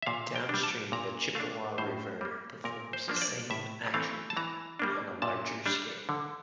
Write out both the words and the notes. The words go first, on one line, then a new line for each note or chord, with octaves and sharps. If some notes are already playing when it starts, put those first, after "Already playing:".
Downstream the Chippewa River performs the same action on a larger scale.
E5
A#2 F5
G5
G3 D4
A5
A#2 A#5
A3 D4 F5
A2 C5
G3 A#3
A#2 A#4
C5
F3 A#3 D4
C5
D5
A2 E5
E3 A3 C4 F5
A5
E3 A#5
G3 A#3 D4
A#2 A5
G3 D4
D3